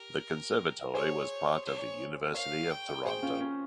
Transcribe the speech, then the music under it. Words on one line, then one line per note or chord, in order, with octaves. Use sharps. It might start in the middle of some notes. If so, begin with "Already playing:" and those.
The Conservatory was part of the University of Toronto.
Already playing: G4 A#4
G#4 C5 C#5
C#5
A#4 C#5 F5
G5
G#4 C5 G5
C#4 F4
C#4